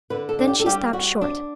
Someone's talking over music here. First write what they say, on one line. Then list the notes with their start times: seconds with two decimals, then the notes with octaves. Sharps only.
Then she stopped short.
0.10 D3 B4
0.29 A4
0.39 D4
0.47 G4
0.60 A4
0.66 G3 G4
0.93 G3 F#4
1.21 D4